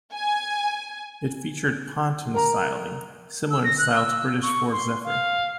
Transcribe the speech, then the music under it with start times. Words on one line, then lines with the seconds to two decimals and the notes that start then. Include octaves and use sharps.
It featured ponton styling, similar in style to British Ford Zephyr.
0.13 G#5
2.34 A#4 A#5
3.51 E6
3.64 A#6
3.78 F#6
3.96 E6
4.43 C#6
4.72 C6
5.04 F5